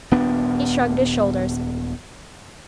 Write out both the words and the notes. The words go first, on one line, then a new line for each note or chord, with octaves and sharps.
He shrugged his shoulders.
D#1 B3 D4